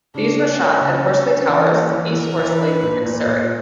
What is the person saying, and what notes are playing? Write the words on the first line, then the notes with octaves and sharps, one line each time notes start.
These were shot at Horsley Towers, East Horsley in Surrey.
C#3 D4
A#3
C#4
D4
C#3
D4
D4
E3
A#3
E3
E3 A#4
E3
B4
D4
A#2
A#2
A#2